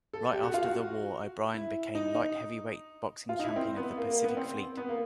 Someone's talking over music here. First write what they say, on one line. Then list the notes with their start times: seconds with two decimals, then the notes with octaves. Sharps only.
Right after the war O'Brien became Light Heavyweight boxing champion of the Pacific Fleet.
0.13 A4
0.33 G4
0.43 F#4
0.54 F4
0.64 F#4
1.54 E4
1.95 D#4
2.15 D#4
3.29 F4
3.39 D#4
3.44 E4
3.56 C4
3.77 B3
3.97 A#3
4.10 A#3
4.24 B3
4.37 C4
4.77 B3
4.89 A#3